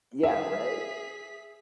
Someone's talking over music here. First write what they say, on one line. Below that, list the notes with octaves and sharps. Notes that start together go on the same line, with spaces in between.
Yeah, right?
G#4 E5 B6